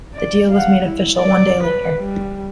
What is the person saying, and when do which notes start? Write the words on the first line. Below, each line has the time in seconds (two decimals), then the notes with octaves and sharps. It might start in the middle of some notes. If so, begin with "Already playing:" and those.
The deal was made official one day later.
0.14 D5
0.52 F5 F#5
0.84 E4
1.18 D5
1.63 B4
1.99 G3